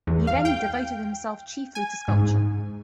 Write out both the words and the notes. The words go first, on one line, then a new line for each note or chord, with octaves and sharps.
He then devoted himself chiefly to sculpture.
E2
F5
G5
G#5
G#2